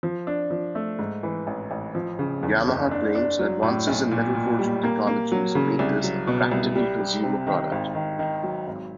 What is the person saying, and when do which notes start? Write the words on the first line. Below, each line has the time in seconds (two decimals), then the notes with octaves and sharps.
Yamaha claims advances in metal forging technologies make this a practical consumer product.
0.03 F3
0.27 D4
0.51 F3
0.75 A3
0.99 G#2
1.23 E3
1.47 A1
1.71 A1
1.95 F3
2.19 C#3
2.43 E2
2.67 F#1
2.91 D4
3.15 D4
3.39 F#3
3.62 A2
3.87 B1
4.11 A#2
4.35 A#2
4.59 G3
4.83 A#3
5.07 A#3
5.32 F#3
5.55 C#3
5.79 C2
6.04 F#3
6.27 B2
6.51 C2
6.75 G3
6.99 G3
7.23 C3
7.47 D#3
7.72 G#1
7.95 D#3
8.19 D#3
8.43 F#3
8.67 G#1